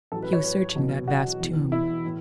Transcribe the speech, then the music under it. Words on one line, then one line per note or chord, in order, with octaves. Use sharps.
He was searching that vast tomb.
A1 A2 F#3 A4
B4
C#5
B4
E2 B2 F#3
F#4
E1 E2 E3
E4
A2 E3